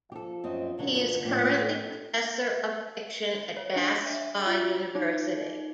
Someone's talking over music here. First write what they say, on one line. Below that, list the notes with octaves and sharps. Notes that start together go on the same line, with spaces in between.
He is currently Professor of Fiction at Bath Spa University.
F3 G4 A4
F#2 C4 D#5
F#2 A#2 D3 F#3
A2 F3 A#3 G4
A4
C#5
D4
E5
F4
D#4